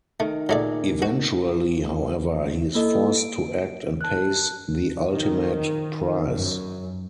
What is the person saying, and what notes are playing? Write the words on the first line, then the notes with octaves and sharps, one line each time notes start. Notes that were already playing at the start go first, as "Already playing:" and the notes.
Eventually, however, he is forced to act and pays the ultimate price.
D#3 A3
A#2 F#3 A3 G#4 D5
F#4
A#3 E4 A4 D#5
D7
A5 F#6
D#3
F#2